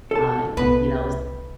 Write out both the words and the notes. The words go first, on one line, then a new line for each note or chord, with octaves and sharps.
uh, you know? S
A4 A5
C2 B3 B4